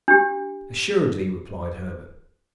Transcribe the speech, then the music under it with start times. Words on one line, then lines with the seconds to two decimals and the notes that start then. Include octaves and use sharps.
"Assuredly," replied Herbert.
0.08 D4 G4